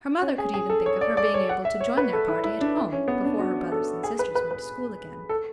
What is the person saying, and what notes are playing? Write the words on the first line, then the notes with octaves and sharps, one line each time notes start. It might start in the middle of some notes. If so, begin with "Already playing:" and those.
Her mother could even think of her being able to join their party at home, before her brothers and sisters went to school again.
C#4
G#4
G#4
A4
C#5
D5
D5
C#5
F#5
E5
C#5
B4
A4
E4
E4
D4
E4
C#4
B3
D4
F#4
A4
G#4
B4
B4
B4
A4